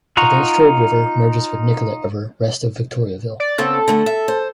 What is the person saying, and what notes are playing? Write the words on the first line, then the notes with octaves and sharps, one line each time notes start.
The Bulstrode River merges with Nicolet River west of Victoriaville.
D#4 F4 F#5 A#5 C#6
D5
C#3 B3 C4 A4
D3 A3 F#5
E5
C5